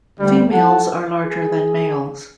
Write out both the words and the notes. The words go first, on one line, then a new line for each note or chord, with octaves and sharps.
Females are larger than males.
D2 G3
F3 E4 A4 F#5 A5
G#4